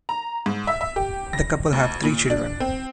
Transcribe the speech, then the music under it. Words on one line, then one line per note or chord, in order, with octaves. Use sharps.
The couple have three children.
A#5
G#2
E5
E5
G4
A#6
D2
A#2
D4
C4